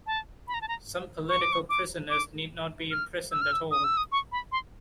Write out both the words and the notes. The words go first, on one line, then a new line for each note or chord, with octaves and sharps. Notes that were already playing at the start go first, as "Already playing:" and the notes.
Some political prisoners need not be imprisoned at all.
A5
B5
A#5
A5
A#5
C#6
D6
C#6
D6
D6
F6
E6
F6
E6
D#6
E6
D#6
C#6
B5
C6